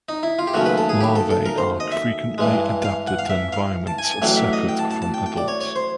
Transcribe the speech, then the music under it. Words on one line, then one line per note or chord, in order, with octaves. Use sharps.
Larvae are frequently adapted to environments separate from adults.
D#4
E4
F4
G4
D#2 C#3 F#3 A3 F#4
B4
A4
G#4
G4
A4
A4
A#4
C5
D#5
E5
G2 E3 G#3
F5
F#5
F5
E5
F5
A5
G#5
G#5
A1 A2 F#3 G5
E5
D#5
G5
A5
A5
A5
G5
G5
D5
C#5
C#5
C5